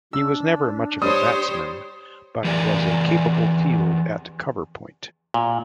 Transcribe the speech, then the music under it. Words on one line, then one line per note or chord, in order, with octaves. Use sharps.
He was never much of a batsman, but was a capable field at cover-point.
D4 E6
G3 G4 C5 C#5 D#6
E3 G4 G#4 A#4 D5
A#2